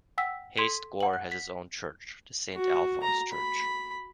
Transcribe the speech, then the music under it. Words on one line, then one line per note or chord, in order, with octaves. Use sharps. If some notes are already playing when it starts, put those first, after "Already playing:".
Heist-Goor has its own church, the Saint Alfons church.
F#5 G5 E6 B6
A4 C6 G#6 B6 D#7
F#5 F#7
F#6
B6
F#4
A#5
B5